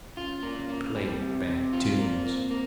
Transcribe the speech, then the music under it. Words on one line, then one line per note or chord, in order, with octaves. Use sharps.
It played bad tunes.
C#4 F4
A#3
C#4
A#3
G3 C4
C3
C3
F4
A#3
A#3
A#3